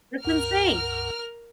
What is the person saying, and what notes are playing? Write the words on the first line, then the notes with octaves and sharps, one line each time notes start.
That's insane.
C#2 G2 A#4 F#5 F6